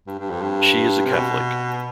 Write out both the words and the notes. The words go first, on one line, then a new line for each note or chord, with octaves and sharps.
She is a Catholic.
G2
G2
F2
G2
C3
B2